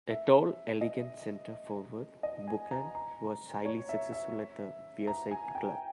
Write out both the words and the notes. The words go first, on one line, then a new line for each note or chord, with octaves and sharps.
A tall, elegant centre forward, Buchan was highly successful at the Wearside club.
E5
D#5
D#5
G#5
A#5
A#5
C#5
E5
E5
A#5
G#5
G5